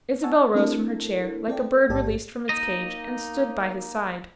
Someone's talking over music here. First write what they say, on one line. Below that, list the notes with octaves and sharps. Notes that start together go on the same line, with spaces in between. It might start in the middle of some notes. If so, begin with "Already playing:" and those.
Isabel rose from her chair, like a bird released from its cage, and stood by his side.
F#5 G#5 A5 C#6 E6
A3 C4 D4 E4 A4 A#4
C4 A4 D5 G5
A1 G#2 G4 D5 A5
A#3 D#4 D#5